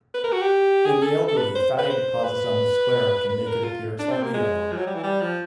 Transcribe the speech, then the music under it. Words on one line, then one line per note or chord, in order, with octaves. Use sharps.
In the elderly, fatty deposits on the sclera can make it appear slightly yellow.
B4
A#4
F#4
G4
G#4
A4
A4
B4
C5
B4
C5
B4
B4
A#4
F4
D4
C4
A#3
G#3
F3
F#3
G3
E3
G3
F3